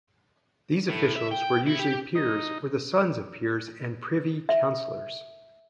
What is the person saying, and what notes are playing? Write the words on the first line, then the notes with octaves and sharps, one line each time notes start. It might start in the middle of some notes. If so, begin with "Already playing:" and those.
These officials were usually peers or the sons of peers and Privy Councillors.
A2
E5
G5
E4
G4
D#4
E5